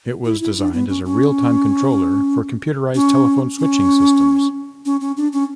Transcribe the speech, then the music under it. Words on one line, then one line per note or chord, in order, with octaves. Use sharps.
It was designed as a real-time controller for computerized telephone switching systems.
E4
E4
D4
B3
C#4
C#4
C#4
C#4
C#4
C#4
D4
C#4